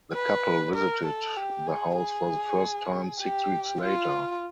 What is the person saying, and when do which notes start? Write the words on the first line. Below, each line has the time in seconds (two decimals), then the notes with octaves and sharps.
The couple visited the house for the first time six weeks later.
0.14 B4
0.75 A#4
1.05 A4
1.36 G4
1.67 G#4
1.97 G#4
3.20 G4
3.81 F4